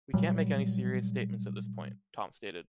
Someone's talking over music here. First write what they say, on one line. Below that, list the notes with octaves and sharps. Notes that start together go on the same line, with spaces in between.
We can't make any serious statements at this point, Tom stated.
A#2 F#3 G3